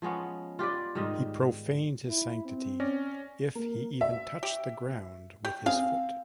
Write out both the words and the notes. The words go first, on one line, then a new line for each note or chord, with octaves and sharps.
He profaned his sanctity if he even touched the ground with his foot.
F3 G#3 B3 C#4
F4 G4 B4 D5
G#2 D#3 G3 D#5
E4
C4
C#4 D5 A#6
A#3
E5
G4
G4
C4 G#4 F5